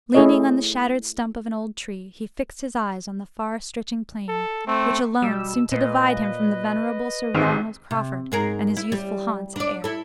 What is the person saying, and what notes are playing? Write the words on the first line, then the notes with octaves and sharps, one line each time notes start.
Leaning on the shattered stump of an old tree, he fixed his eyes on the far-stretching plain, which alone seemed to divide him from the venerable Sir Ronald Crawford and his youthful haunts at Ayr.
A3 E4 G#4 A4 C#5 D#5
A4
A3 C4
B2 G3 E6
A#2 B4 D#5
A1 G#2 D#3 C4
C3
G#2 G#4 A#4
E4
G3
D4 D5
E4 A4